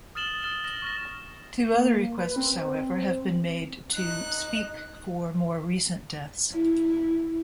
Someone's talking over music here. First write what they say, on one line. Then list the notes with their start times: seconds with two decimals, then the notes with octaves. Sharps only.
Two other requests, however, have been made to "speak" for more recent deaths.
0.15 D#6 F6 A6 E7 F#7 G7
0.42 D#6 F6 A6 E7 G7
0.64 F6 A#6 E7
0.82 C#6 F6 A#6
1.74 A#3
2.17 B4
2.36 C4
3.94 D#4 F#6
6.53 E4